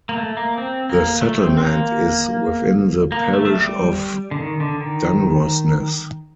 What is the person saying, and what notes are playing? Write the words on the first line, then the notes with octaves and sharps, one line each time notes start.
The settlement is within the parish of Dunrossness.
A#3
A3
A#3
C4
A#3
A3
C4
C4
A#3
A#3
A3
A3
G3
D3
D#3
D3
D#3